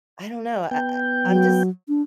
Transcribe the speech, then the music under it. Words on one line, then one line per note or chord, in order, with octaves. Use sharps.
I don't know, I I I'm just
B3 G5
F#3
D4